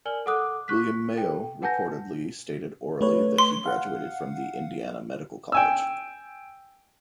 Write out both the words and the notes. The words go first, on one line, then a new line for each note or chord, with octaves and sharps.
William Mayo reportedly stated orally that he graduated from the Indiana Medical College.
A#4 D5 G#5 F6 F#7 G7
A4 F#5 D6 D#6 F#6
C#6 F#6 B6
A4 G5
B4 F#5 G#5 A5 G6 A#6
A3 B4 C#5
C6
F5 F#5
G5 G#5 E6